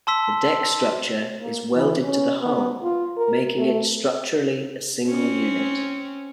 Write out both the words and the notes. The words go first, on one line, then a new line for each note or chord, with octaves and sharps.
The deck structure is welded to the hull, making it structurally a single unit.
A5 C6 E6 B6
A#3
E3
C#4
B3
F4
A#4
A3
C4 C#4